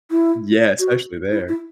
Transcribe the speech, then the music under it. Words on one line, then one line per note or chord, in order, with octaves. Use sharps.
Yeah, especially there.
E4
F#4
E4
E4